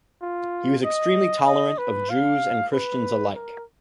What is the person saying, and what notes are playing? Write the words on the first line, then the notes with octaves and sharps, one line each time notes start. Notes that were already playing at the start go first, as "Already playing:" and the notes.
He was extremely tolerant of Jews and Christians alike.
F4
D#5
D#5
B4
F5
B4
A#4